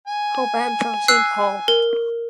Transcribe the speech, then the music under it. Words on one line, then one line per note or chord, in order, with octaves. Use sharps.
Hoban from Saint Paul.
G#5
E6 F#6 C7
A#4